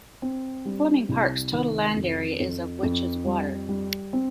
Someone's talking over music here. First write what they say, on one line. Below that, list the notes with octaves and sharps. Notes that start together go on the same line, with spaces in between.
Fleming Park's total land area is of which is water.
C4
G3
C2
D#3
F2
F2
F2
G3
G3
C4